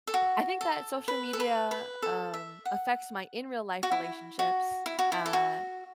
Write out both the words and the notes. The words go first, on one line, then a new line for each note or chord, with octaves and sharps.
I think that social media, um, affects my in real life relationships, uh,
A4
F#4
A4
B4
A4
B4
B4
A4
E5
F#5
F#4
E4
F#4
E4
F#4
E4
A4
F#4